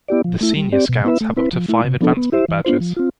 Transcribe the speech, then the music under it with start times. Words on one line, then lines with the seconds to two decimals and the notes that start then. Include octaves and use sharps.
The Senior Scout's have up to five advancement badges.
0.08 B3 E4 G4 D5
0.24 F3
0.41 A3 E4
0.56 G3
0.72 C4 G4 D5
0.89 B2
1.04 B3 E4 B4 E5
1.21 A3
1.36 C4 E4 B4
1.53 F3
1.68 A3 E4
1.84 C3
2.01 F3 B3 D4 A4
2.17 B3
2.32 E4 G4 C5 E5
2.48 E3
2.65 B3 D4 F4 C5
2.80 F3
2.96 C4 F4